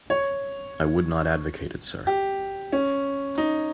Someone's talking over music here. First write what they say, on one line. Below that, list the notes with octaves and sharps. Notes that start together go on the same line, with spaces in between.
I would not advocate it, sir.
C#5
G4
C#4
D#4